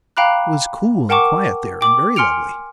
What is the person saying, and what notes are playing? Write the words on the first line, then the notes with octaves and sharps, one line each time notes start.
It was cool and quiet there, and very lovely.
F5 G5 A#5 B5 D6 F#6
A#4 F#5 G5 A5 C#6 D6
G5 D6 F#7
G#5 C6 F6 C#7 D7 F7